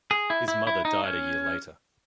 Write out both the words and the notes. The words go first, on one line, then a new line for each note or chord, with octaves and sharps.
His mother died a year later.
G#4
E4
E4
E4
D#4
C#4